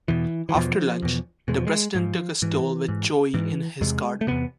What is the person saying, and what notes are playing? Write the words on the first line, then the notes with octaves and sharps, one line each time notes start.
After lunch, the president took a stroll with Choi in his garden.
E2 B2 E3
E3
E2 B2 F3
E2 B2
E2 B2 G#3
F3
G#3
G#2 F3
G#2 E3
G#2
G#2 E3
E2 C3 G#3
A3
E2 C3 B3